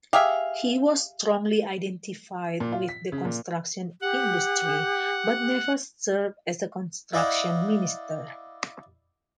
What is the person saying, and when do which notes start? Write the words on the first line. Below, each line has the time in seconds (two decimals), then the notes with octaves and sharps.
He was strongly identified with the construction industry but never served as construction minister.
0.13 G4 G#4 E5 F5
2.60 A#2
2.72 F4
2.89 B6
3.12 C#3
3.25 A#2
4.01 G4 F#5
7.13 E4 D5 D#5 F5 F#5